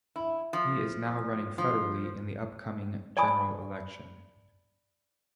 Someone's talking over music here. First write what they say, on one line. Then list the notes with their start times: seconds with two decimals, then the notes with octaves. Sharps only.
He is now running federally in the upcoming general election.
0.16 E4
0.53 F3
1.58 F3
3.17 D5 G#5 A5 B5 D#6